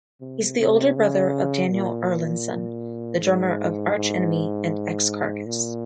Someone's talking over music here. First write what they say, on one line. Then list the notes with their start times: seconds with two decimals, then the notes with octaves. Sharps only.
He's the older brother of Daniel Erlandsson, the drummer of Arch Enemy, and ex-Carcass.
0.21 C3
0.59 C3
0.96 C#3
1.71 A#2
3.21 G#2
3.96 G#2
5.46 A#2